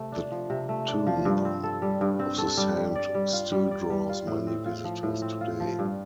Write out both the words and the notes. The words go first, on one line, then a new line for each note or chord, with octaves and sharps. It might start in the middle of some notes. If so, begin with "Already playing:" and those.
The tomb of the saint still draws many visitors today.
Already playing: C3 A3
D4
F3
C3
A3
D4
F3
G2
C4
A4
G3
G2
C4
A4
G3
G3
D5
G3
F4
G3
D5
G3
F4
A2
C4
F4
F3
A2
C4
F4
F3
G2